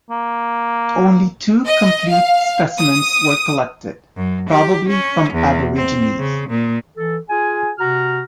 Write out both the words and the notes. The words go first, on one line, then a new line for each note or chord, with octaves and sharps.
Only two complete specimens were collected, probably from Aborigines.
A#3
D#5
F5
D#6
F#2
G4
C#4
E2
C4
C#3
A#2
E3 A4
F4 G#4 G#5
C3 F#4 A#5 F6